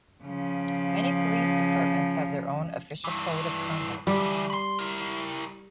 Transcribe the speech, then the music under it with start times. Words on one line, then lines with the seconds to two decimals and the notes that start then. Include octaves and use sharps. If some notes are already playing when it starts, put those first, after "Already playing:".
Many police departments have their own official code of conduct.
0.24 C#3 F3
3.04 G2 E3
4.07 D3 E3 G3
4.50 B5 C6
4.79 E4 A#4